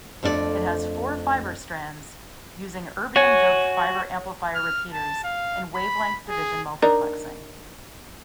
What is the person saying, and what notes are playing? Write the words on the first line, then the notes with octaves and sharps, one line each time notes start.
It has four fiber strands, using Erbium-doped fiber amplifier repeaters and wavelength division multiplexing.
F2 A3 D4 F#4 D5
F#4 C#5 G#5
F6
A5
F5
B5
G#4
D4 D#4 A#4